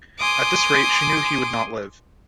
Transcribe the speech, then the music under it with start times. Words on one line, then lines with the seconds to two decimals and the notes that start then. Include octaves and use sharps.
At this rate she knew he would not live.
0.19 G#5 C6 D6 D#6